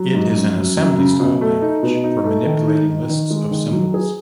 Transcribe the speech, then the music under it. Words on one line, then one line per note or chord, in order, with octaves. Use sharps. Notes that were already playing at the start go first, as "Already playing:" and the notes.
It is an assembly-style language for manipulating lists of symbols.
Already playing: F#3
G#2
F#2
F#2
F#2
C#3
B2
A3
D#4
B2
D#4
A3
D#3
D#4
D#4
D#3
G#3
D#3
F#3
G#4